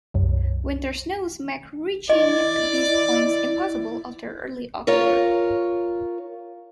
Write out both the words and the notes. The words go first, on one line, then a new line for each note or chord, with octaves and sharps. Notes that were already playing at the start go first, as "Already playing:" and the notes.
Winter snows make reaching these points impossible after early October.
C2 F#2
E4 D5 D#5
F4 A#4 C#5